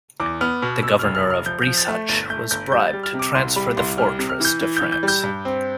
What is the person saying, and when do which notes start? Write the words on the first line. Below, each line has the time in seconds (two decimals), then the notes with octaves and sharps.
The governor of Breisach was bribed to transfer the fortress to France.
0.20 E2 D6
0.41 B3 F6
0.62 B2 F6
0.83 B2 E6
0.99 F6
1.04 F1
1.15 F6
1.25 F1
1.30 F6
1.46 F3 G6
1.62 G6
1.67 F3
1.78 A6
1.88 A3
2.09 G1 A6
2.30 A3 G6
2.51 G1 G6
2.72 G3 G6
2.88 A6
2.93 G3
3.03 F6
3.14 C3
3.19 D6
3.35 C2 C6
3.56 G3 B5
3.77 C2 C6
3.98 G3 F6
4.19 C3
4.29 F6
4.40 E3 G6
4.61 E3
4.77 G6
4.82 E3
4.92 G6
5.03 G3
5.08 G6
5.24 G2
5.45 C4